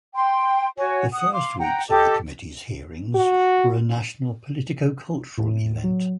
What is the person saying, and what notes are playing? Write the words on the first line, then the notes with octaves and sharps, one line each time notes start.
The first weeks of the committee's hearings were a national politico-cultural event.
G5 C6
F#4 C#5 G#5
F#5 D#6
F5 C6 D6
F#5 G5 A#5
G4 A4 D#5 D6
F#4
A2
F#3